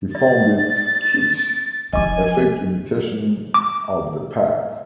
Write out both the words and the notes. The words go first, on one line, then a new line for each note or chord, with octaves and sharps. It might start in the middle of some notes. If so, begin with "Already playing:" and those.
He found it "kitsch, a fake imitation of the past".
D5 A6
F3 D#4 D#5 G#5 D6
D6